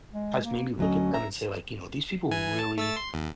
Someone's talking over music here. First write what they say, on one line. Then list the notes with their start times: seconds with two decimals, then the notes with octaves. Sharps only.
has made me look at them and say, like, "You know, these people really
0.13 G#3
0.44 A#3
0.78 D2 F#3 C#4 D#5
1.14 E5 A#5
2.31 E3 G#5
2.59 A5
2.78 A3 E6 A6
2.97 C6
3.14 D#2